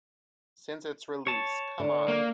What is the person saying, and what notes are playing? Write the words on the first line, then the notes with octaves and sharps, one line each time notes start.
Since its release, Come On!
C#5 A5
D3
A#3